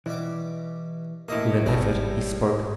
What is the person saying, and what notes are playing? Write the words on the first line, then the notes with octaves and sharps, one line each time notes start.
With an effort he spoke.
B2 E3 G3 D6
A2 A#3 D#5 E5 D#6
G#1 G3 G#4 C#5 A5